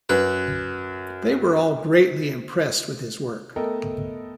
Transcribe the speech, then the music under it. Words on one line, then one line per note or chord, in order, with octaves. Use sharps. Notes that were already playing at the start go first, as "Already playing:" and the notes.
They were all greatly impressed with his work.
F#2 B4
A3 B3 A4 A#4 D#5 G5